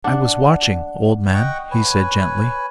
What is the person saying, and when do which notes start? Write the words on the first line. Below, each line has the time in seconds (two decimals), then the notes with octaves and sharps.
"I was watching, old man," he said gently.
0.04 D4 F#5
1.34 D#5 F#5 G5 C#6
1.71 B4 C#5 G#5